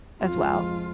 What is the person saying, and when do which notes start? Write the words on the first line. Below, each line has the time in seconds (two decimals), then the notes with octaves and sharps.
as well?
0.21 F2 F4
0.38 G#3
0.55 F3